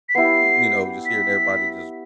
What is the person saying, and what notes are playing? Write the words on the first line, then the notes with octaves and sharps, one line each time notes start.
you know, just hearing everybody just
B6
B3 E4 G4 C7
B6